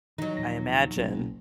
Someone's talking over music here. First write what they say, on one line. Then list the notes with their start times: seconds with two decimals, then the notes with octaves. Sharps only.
I imagine
0.18 D#3 E3 F#3 G3 D#4
0.37 D#2 A#2 F3 A#6
0.96 F#1 B1